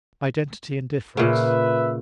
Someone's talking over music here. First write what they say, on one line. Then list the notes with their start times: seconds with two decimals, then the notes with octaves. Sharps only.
Identity and Difference.
1.17 A#2 C#3 B4 E5